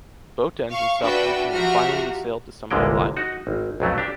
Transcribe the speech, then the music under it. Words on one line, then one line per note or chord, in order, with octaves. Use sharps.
Boat engine stopped working and finally we sailed to some little island.
F5 C#6
D4 F#4 B4 E5 G5
F3 F#4 G4 E5 A#5 F6
G1 C2 A#2 D3 G#3 G5
D#4 F#4
G#1
B1 F2 F#3 A3
D4 G4